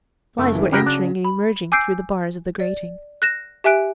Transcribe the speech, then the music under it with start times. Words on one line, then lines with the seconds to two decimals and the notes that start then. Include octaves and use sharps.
Flies were entering and emerging through the bars of the grating.
0.38 F#1 A3
0.55 D#3 E3
0.72 C#3 F#3 G4 A#4 B4 A#6
0.86 D4
1.25 B5
1.72 G#5 D6 E6 G6 C7 D7
2.60 D5
3.22 F#6 A#6 E7
3.64 G4 E5 G#5 F#6 D7